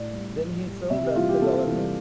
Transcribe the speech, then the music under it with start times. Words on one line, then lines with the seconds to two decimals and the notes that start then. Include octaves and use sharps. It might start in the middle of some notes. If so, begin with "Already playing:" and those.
Then he served as the Governor.
Already playing: A2 D5
0.13 G3
0.39 A2
0.65 G3
0.90 C3 E5
1.03 G4
1.15 E3 G3 F4
1.29 G4
1.42 C3 A4
1.67 E3 G3